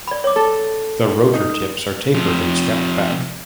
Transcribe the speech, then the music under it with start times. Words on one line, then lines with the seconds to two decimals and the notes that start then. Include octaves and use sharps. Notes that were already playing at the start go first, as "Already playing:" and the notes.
The rotor tips are tapered and swept back.
0.08 D5 B5
0.24 C#5 D6
0.36 A4
1.33 D#4
2.14 C3 F3